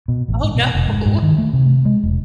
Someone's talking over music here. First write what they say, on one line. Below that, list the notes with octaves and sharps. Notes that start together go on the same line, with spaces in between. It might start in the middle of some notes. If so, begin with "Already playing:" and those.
Oh, no.
B2
A1
G#2
B2
F1
G#2
G#2
D#3
A3
C3
G#3
E1